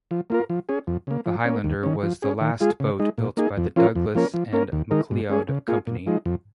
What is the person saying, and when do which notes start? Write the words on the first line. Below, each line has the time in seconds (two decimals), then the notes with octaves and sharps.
The "Highlander" was the last boat built by the Douglass and McLeod company.
0.11 F3
0.30 A#3 F4 A#4
0.50 F3
0.69 C#4 G#4
0.87 F2
1.07 C#3 A#3
1.26 F3
1.45 A#3 C#4
1.64 D#2
1.83 D#3 C#4
2.03 F3
2.22 C#4 G#4
2.41 D#3
2.61 G#3 F4 G#4
2.80 C#3
3.00 G#3 D#4
3.18 A#2
3.37 A#3 D#4 G#4
3.57 F2
3.76 F3 C#4 F4 A#4
3.95 F2
4.15 F3 A#3 C#4 A#4
4.34 F3
4.53 A#3 C#4 A#4
4.72 D#2
4.91 D#3 G#3 D#4 A#4
5.11 G#2
5.30 G#3 C#4 G#4
5.49 C#3
5.68 A#3 F4 G#4
5.87 A#2
6.06 F3 G#3 D#4
6.26 F2